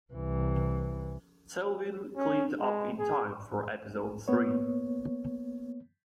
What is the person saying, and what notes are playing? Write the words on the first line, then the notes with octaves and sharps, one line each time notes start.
Selwyn cleaned up in time for episode three.
C2 E3
C#4
G#3
G#4
A#3 B3 C#5